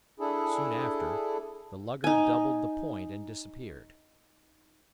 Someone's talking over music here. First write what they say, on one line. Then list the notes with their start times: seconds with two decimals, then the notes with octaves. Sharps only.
Soon after, the lugger doubled the point and disappeared.
0.20 D4 E4 G#4 A4
2.04 D#4 G#5